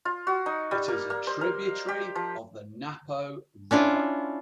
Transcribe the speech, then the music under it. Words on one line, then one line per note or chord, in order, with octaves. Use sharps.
It is a tributary of the Napo River.
F4
F#4
D#4
G3
A#3
A#3
C5
A#4
G4
F3
C#4 D4 E4 F4